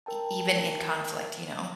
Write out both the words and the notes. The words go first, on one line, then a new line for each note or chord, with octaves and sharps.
e even in conflict, you know?
A#4 G5 A5